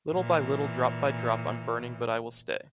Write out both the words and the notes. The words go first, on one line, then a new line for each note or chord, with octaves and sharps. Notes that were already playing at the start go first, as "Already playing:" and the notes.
Little by little drop by drop I’m burning but I will stay.
A#2 E3